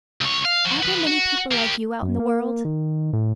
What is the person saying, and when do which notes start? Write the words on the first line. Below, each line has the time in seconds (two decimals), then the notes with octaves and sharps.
"Are there many people like you out in the world?"
0.21 C#2 C#5
0.45 F5
0.65 F3 F#4
0.83 F3 B4
1.07 F#4
1.51 A#3 G4
2.02 F#2
2.20 A#3
2.65 D#3
3.13 A2